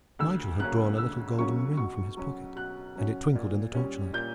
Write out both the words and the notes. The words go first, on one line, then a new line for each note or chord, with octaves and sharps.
Nigel had drawn a little golden ring from his pocket, and it twinkled in the torchlight.
D2 E6
C#3 F#3 A#3 C#4 F#6
D2 E6
C#3 F#3 A#3 C#4 C#6
B2 C#6
F#3 C#4
B2 F#6
F#3 C#4
A#2
G3 C#4
A#2 G6